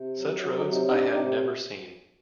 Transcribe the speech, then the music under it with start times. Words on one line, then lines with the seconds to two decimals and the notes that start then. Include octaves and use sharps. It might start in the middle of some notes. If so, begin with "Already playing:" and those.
Such roads I had never seen.
Already playing: C3
0.17 F#3
0.40 F#3 D4 F#4
0.57 D#4
0.65 C3
0.72 D#4
0.88 D4 D#4
1.12 C3 D#4 G4